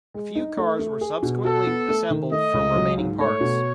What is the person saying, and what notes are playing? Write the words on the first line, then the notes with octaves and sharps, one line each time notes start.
A few cars were subsequently assembled from remaining parts.
G#3
D#4
A3
A3
G#4
B2
F#4 A4
B3
A3
D#3
A3 D#5
C#2
F#3
G#2
A3 C#5
B2